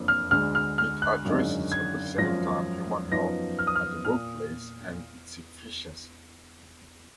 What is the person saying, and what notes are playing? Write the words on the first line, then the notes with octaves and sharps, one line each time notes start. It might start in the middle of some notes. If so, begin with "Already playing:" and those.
It addresses at the same time human health at the workplace and its efficiency.
Already playing: F#1 F2 F3 A#3 D4
F6
D2 D3 G#3 F6
F6
F6
F#6
G#1 F#2 D3 G#3 D#4
G#6
G#1 F#2 F3 A#6
F#2 F3 B3 D#4 A#6
F6
D#6
F6
A#2 F6